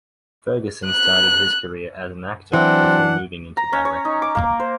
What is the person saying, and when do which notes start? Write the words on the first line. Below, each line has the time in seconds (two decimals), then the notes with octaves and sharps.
Ferguson started his career as an actor, before moving into directing.
0.86 F#6
2.53 E3 F#3 C4 D4 F#5
3.57 A#5
3.73 C#4
3.85 C#5
4.05 D#4
4.22 D6
4.35 A#3
4.60 C5